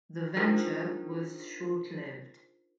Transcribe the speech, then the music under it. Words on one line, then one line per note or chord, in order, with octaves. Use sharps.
The venture was short-lived.
D4 D#4 F4 G#4 A#4 C5